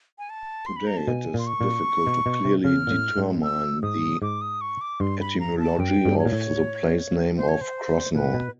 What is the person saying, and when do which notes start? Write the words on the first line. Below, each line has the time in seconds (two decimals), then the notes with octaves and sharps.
Today it is difficult to clearly determine the etymology of the place-name of Krosno.
0.19 G#5
0.30 A5
0.66 C6
0.76 B5
0.87 A#5
0.97 A5
1.07 B2 G#5
1.34 A#2 C6
1.47 C#6
1.61 A#2
2.07 B2
2.26 B2
2.45 C3
2.65 C#3 F6
2.87 A#2
2.91 A2
3.18 G#2
3.43 E6
3.83 G#2 D#6
4.22 G#2 D6
4.41 D#6
4.61 C#6
4.81 D6
5.00 G2 C6
5.20 B5
5.40 A#5
5.59 A5
5.79 F#2 G5
6.05 G2
6.19 C#5
6.26 A#2
6.32 A2
7.36 C5
7.49 C#5
7.61 C5
8.15 A#2 B4
8.34 B2